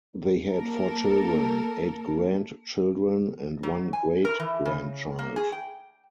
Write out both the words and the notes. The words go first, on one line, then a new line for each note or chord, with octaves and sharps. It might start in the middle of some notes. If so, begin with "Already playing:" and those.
They had four children, eight grandchildren, and one great grandchild.
A#3 A4 A#4
F#3
G#5
A#4
E3
C#3
A#3
G#4
G5